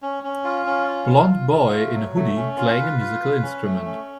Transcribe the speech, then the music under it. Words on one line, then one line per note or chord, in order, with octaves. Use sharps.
Blond boy in a hoodie playing a musical instrument.
C#4
C#4
F4
C#4
F4
F4
F4
F4
A3
F#3
A3
C#4
F4
B4
F4
B4
C#4
A3
C#4